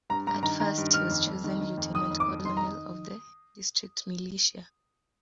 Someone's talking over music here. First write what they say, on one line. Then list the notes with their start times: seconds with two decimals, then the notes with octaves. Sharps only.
At first he was chosen lieutenant colonel of the district militia.
0.10 G2 A#5
0.27 G2 A#5
0.43 D#3 A#5
0.60 D#3 A#5
0.78 G2
0.94 D#3 F6
1.10 F2
1.27 F2
1.44 D#3
1.61 D#3
1.77 F2
1.94 D#3 D#6
2.11 F2
2.20 D6
2.28 F2
2.44 D#3 C6
2.57 A#5
2.62 D#3